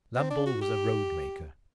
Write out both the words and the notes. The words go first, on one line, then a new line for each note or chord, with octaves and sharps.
Lambole was a roadmaker.
C4
D4
F#4
G4